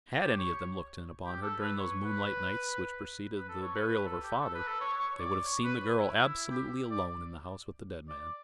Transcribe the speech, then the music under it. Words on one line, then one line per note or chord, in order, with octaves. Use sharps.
Had any of them looked in upon her during those moonlight nights which preceded the burial of her father, they would have seen the girl absolutely alone in the house with the dead man.
G4
C#5
G4
A4
B4
C#5
B4
B4
A4
C#5
B4
B4
A4
G4
A4
B4
A4
C#5
C#5
C#5
D5
C#5
B4
E4
E4
G4
D5
D5